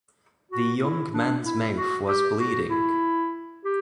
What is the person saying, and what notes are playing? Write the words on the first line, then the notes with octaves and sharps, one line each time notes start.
The young man’s mouth was bleeding.
F#4
E4
D4
E4
F#4
G4
F#4
E4
G4